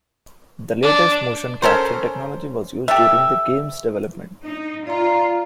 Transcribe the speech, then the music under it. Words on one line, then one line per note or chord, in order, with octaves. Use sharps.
The latest motion capture technology was used during the game's development.
D4
C#4 A4 A#4 C5
G4 A4 E5
D#4
F4 D5 A#5